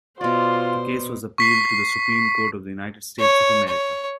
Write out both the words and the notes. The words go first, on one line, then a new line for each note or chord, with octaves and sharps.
The case was appealed to the Supreme Court of the United States of America.
B2 F4 C5 D5
C#6 B6 C7
C#5
C#5